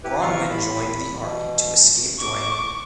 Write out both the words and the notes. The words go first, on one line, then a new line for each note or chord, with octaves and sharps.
Bronwyn joined the army to escape Dwayne.
E4 G4 B4
G2 E3 B3 F4 F5 C#6
B5
B2
C#6 D6